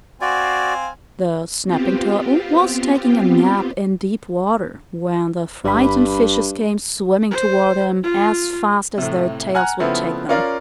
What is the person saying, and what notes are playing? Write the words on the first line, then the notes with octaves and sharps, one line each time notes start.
The Snapping Turtle was taking a nap in deep water, when the frightened fishes came swimming toward him as fast as their tails would take them.
C4 F#4 D5 F5 G#5
B3 C4 F4 G4
G1 G2 B5
C5
F4
A2 C3
F#5 G#5 A#5 F6 F#6
C#3 F3 A3 B3 C4 E4
C#4 F4 A#4 D5 F5